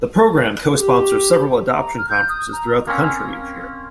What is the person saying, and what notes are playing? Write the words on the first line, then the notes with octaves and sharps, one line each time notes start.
The program co-sponsors several adoption conferences throughout the country each year.
G4
A#5
F6
G6
D#6
A#5
A#3 C4 C#4 A#5